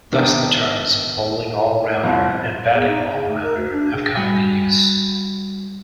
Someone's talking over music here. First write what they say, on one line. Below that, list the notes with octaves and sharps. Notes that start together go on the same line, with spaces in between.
Thus the terms "bowling all-rounder" and "batting all-rounder" have come into use.
D#3 B3 D4 D#4 G5
C2 F3 C4
E2
D#4
G#2
C#3
A3
A#4
D2
D4
C#3
G3 F#4 G5 G#5